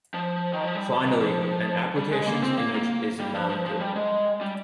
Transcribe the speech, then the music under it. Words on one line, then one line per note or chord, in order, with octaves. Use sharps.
Finally, an applications image is mounted.
F3
D#3
F3
G3
D#3
F3
G3
G#3
A#3
C4
A#3
A#3
G3
F3
F3
F3
G3
G#3
G3